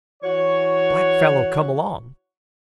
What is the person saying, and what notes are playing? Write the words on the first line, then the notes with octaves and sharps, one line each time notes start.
"Black fellow come along."
E3 F#4 C#5